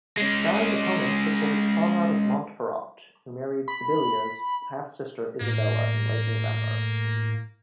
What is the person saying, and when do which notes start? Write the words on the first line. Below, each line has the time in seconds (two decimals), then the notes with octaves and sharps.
Guy's opponents supported Conrad of Montferrat who married Sybilla's half-sister, Isabella in late November.
0.17 G#3 C#4
3.68 B5
5.41 A2 A#3